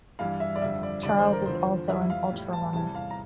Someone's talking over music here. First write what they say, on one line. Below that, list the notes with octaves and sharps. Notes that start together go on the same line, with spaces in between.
Charles is also an ultrarunner.
G2 E3 G3 F5
E5
D5
F2 D3 G3 E5
D5
E2 D3 G3 D5
C5
A#4
E2 D3 F3 C5
F2 E3 G3 E5
F5
A2 G3
A5
E2 C3 E3 G3 A5
F5
A#5